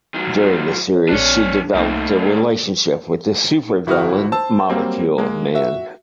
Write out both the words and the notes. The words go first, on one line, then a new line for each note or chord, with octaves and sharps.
During the series, she developed a relationship with the supervillain Molecule Man.
D#3 F#3
C#5
A#1 D4 C#5 D5 F#6
C2 D#3 A3 A#3 D#4
A4 D5
G1 E4 F#4 D#6 F6
C5 A5 E6
F#3 G3 A#3 C4
G#3 A#3
F#4 E5